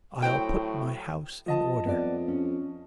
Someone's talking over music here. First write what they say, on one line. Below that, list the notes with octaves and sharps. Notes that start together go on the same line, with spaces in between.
I'll put my house in order.'
A2 F#3 C5 G5
F3 D#5 A5
F2 B3 D5
C#4